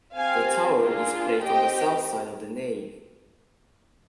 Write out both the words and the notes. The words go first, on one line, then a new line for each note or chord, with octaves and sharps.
The tower is placed on the south side of the nave.
C4 G4 F5 G#5
A#3 D4 F4 G#4
C4 G4 D#5 G5